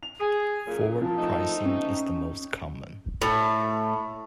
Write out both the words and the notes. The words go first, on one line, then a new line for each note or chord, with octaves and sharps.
Forward pricing is the most common.
F7
G#4
F#2 A#2
F3 A5
A3 C4 D#4
C#4
A2